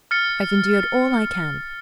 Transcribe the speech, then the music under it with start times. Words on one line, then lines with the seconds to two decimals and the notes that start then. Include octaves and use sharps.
I've endured all I can.
0.11 F6 A6 C#7